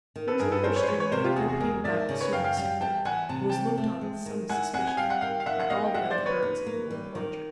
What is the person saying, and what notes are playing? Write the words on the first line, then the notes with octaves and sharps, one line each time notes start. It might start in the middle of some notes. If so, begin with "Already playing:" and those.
There was another stranger who, Peter Rabbit soon discovered, was looked on with some suspicion by all the other birds of the Old Orchard.
D#3
A4 B4
G2 G#4 A#4
A4 B4
C#4 A#4 C5
B4 C#5
C5
G#3 B4 C#5
B4 C#5
C3 A#4 C5
F4 G4
E2 F#4 G#4
F#4 G#4
G#3 G#4 A#4
D#3 D5 E5
C#3
B4 C#5
F#2 F5 G5
F5 G5
G3 F5 G5
E3 G5 A5
E3 F#5 G#5
C3 A5
C4 G5 A5
A3
G#3
D#3
E4 F#5 G#5
C4 F#5 G#5
G#5
G3 F5 G5
F#5
D#3 F5 G5
F5
D#3 E5 F#5
F#5
B3 D#5 F5
G5
G3 E5 F#5
C5 D5
D3
B4 C#5
D#4
A#3
G3
D#3